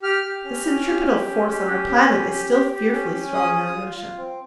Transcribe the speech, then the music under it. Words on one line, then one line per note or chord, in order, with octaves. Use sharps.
The centripetal force on our planet is still fearfully strong, Alyosha.
G4 F6
G4
C#4
C#4
G4
G4
C#4
G4
C#4
C#4
G4
G4
G4
G4
C#4
C#4
G#4 D#6
G#4
F4
F4
C4